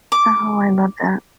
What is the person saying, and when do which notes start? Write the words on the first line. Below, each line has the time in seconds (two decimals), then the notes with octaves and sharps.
Oh, I love that.
0.12 D6